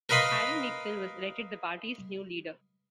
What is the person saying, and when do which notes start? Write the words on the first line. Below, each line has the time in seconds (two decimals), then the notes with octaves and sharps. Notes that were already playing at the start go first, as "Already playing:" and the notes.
Harry Nixon was elected the party's new leader.
0.09 A#4 B4 D#5 F5 B5 C6